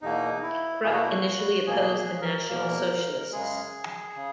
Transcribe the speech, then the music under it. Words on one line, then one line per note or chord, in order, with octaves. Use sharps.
Krupp initially opposed the National Socialists.
E2 B2 A#3 D#4
E4
E2 B2 A#3 G#4
F#4
E4
F#4
E2 B2 A#3 G#4
G#4
A#4
E2 B2 A#3
F#2 C#3 G#3 G#4
C#3